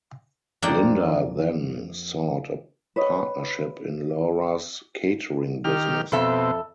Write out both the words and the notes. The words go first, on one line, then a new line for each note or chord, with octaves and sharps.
Linda then sought a partnership in Laura's catering business.
F2 A#3 C4 D4 F#5 G5
B4 C#5 D#5
D#3 G4 F6
F2 B2 C4 A4 E5